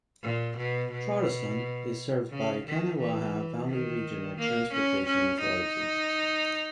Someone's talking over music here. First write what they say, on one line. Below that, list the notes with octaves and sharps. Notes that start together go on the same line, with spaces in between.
Charleston is served by Kanawha Valley Regional Transportation Authority.
A#2
B2
B2
C#3
D#3
E3
D#3
A#3
C#4
C#4
D#4